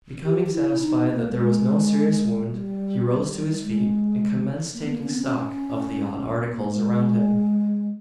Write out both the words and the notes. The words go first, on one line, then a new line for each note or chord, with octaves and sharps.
Becoming satisfied that there was no serious wound, he rose to his feet, and commenced taking stock of the odd articles around him.
G4
G4
E4
D#4
A#3
G3
G#3
G3
G#3
A#3
B3
A#3
C#4
B3
C#4
C#4
A#3
G#3